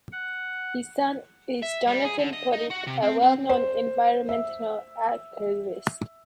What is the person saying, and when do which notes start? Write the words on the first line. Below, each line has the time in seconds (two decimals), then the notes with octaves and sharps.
His son is Jonathon Porritt, a well-known environmental activist.
0.12 F#5
1.63 E5
1.88 G3
2.05 G#4
2.19 D3
2.33 D#5
2.53 D#4
2.71 F#4
2.87 C3
3.03 C4
3.23 C4
3.49 C5
4.29 E5